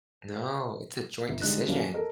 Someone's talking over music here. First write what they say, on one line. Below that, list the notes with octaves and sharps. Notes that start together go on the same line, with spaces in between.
No. It's a joint decision.
G1
D3 G3 G#3 D#4 D#5 F#6
E3 F#3 G3 A#3 C#4 D4
G#5
A4 A#4 D#5